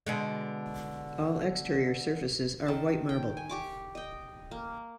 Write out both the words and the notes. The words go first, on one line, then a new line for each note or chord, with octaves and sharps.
All exterior surfaces are white marble.
B2 D3 G#3
D#3 A5
G5
G#5
G4 C#6 D6
D#5 G5
A#3